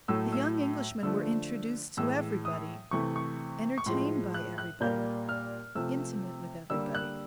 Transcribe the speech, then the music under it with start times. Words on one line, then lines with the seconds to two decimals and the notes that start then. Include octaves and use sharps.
The young Englishmen were introduced to everybody, entertained by everybody, intimate with everybody.
0.08 A2 F#3 A3 E6
0.32 E6
1.03 D3 F3 A3 E6
1.97 A2 E3 G#3 E6
2.45 D#6
2.91 C3 E3 A3 C#6
3.16 C#6
3.78 C#6
3.86 A2 F3 G#3 C6
4.34 F#6
4.58 F#6
4.81 A#2 G3 A#3 G6
5.29 F6
5.75 C3 F3 A3 E6
6.70 D3 G3 A#3 E6
6.95 F#6